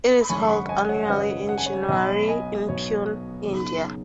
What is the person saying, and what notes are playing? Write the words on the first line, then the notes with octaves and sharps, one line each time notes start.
It is held annually in January in Pune, India.
B5
G#1 F#2 C#3 F#3 C#4 G#5 C#6
C#6
F#5 B5
D#5 G#5
C#5 F#5
F#5
G#1 F#2 C#3 F#3 C#4 B4 D#5
F#5
G#5
C#5 F#5
B1 B2 F#3 B3 D#5 G#5
B5
D#5 G#5
B1 B2 F#3 B3 C#5
F#2 C#3 B3 D#4